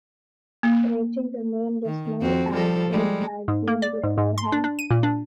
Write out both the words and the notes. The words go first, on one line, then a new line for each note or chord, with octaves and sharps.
Ratings remained dismal as they had been beforehand.
A#3
D#3
F2 C4 F#4
F3 G3 A4
G3 G#3
G#2
A#3
D5
G#2
G#2
C6
D4
D4
D#7
A#2
D4